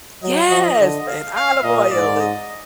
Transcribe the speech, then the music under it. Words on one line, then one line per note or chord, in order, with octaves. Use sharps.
Yes! And Olive Oyl and
F#3 D#5
F3 D#5
D3
F5
F5
A#2 D#5
G#2 D5
D#5